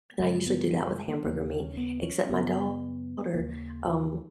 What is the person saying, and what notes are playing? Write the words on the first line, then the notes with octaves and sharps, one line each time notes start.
and I usually do that with hamburger meat, except my daughter, um,
F#2 C#3 G#3
B3
F3
G#3
A#3
D#2 C#3 A#3
C#4
B3
C#4
F#2 C#3 B3
D#2 C#3 A#3
F3